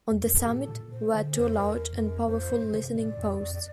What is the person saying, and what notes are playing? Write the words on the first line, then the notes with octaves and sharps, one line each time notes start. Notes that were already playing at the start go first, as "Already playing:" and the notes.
On the summit were two large and powerful listening posts.
E2
F2 A#4
A4
A2 G4
A4
A#2
C5
D3 C5
F2 C5
C5
E2 A#4
F2 A#4
F2 C5
G2
C3
A2 D5
F2
F2